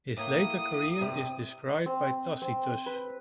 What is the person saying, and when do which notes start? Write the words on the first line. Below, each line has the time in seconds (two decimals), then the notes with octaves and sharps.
His later career is described by Tacitus.
0.17 A2 A#3 D#6
1.00 G2 C3 C4
1.86 C4
2.42 C4
2.86 B4